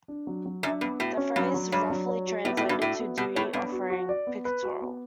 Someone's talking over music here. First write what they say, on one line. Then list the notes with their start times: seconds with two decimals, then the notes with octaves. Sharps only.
The phrase roughly translated to "duty offering pictorial".
0.08 D4
0.27 F#3
0.46 F#3
0.63 F#2 D4
0.81 G2 B3
0.99 A2 F#4
1.17 C#4
1.36 G2 F#3
1.54 F#3
1.72 G2 C#5
1.90 F#3
2.09 C#5
2.27 F#4
2.44 A2 B3
2.57 A2
2.63 F#4
2.69 G2
2.81 A2 F#4
3.00 B3
3.17 B2 B3
3.35 A2 C#5
3.53 G2 B3
3.72 F#4
3.90 F#4
4.09 D5
4.27 B3
4.45 B4
4.63 F#4
4.81 B3